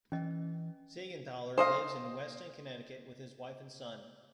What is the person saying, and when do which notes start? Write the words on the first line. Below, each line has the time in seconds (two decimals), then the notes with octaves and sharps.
Seigenthaler lives in Weston, Connecticut with his wife and son.
0.12 E3 C#4 D#5
1.58 C5 D#5 F5